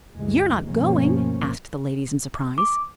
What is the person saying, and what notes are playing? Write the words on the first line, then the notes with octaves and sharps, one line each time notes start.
"You are not going?" asked the ladies in surprise.
D2 G2 E3 G#3
D2 G2 B2 F3 A#3 C#4
D6